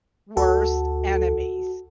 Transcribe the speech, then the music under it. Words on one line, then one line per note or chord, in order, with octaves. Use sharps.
worst enemies
D2 F#4 A4